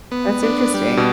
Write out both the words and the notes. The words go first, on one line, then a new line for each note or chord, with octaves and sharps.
That's interesting.
B3
D4
G3
B2